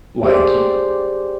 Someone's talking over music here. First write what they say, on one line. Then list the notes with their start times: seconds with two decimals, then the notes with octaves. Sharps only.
like y
0.23 G4 G#4 C5 D5